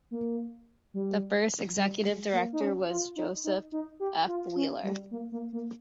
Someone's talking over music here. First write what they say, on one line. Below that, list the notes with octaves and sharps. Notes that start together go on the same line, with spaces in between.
The first executive director was Joseph F. Wheeler.
A#3
G3
G3
G#3
A#3
D#4
C#4
F4
D#4
D#4
D#4
G4
F4
C#4
G3
A#3
A#3
A#3